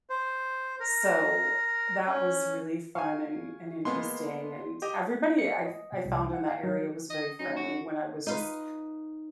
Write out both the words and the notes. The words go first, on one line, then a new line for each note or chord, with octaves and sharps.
So that was really fun and and interesting, and everybody I've I found in that area was very friendly when I was just
C5
A#4
C#4
F5 G#5 C#6
G#3 A#3 B3 C6
G4 D#5
C#7
D#5
B2
C2
F#5
F5
F#3
D#5
F#2 D#4
F#4
D#4 F4 B4